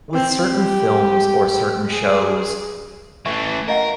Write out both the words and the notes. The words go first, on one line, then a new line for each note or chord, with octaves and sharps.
with certain films or certain shows,
C4
G4
G#4
E3 A3 E5 C#6
A#4 D#5 F5 F#5